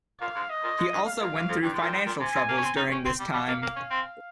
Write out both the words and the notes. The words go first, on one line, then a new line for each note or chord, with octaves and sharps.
He also went through financial troubles during this time.
A#2 F5
G#2
D#5
A#2
G#2
G2
F5
A#2
G2
F2
G2 G5
G#2
A#2
G#2
A#2
C3 G#5
C3
A#3
C#4
C4
D#4 G5
C#4
C4
G3
G3 F5
A#3
A#3
C#4
C4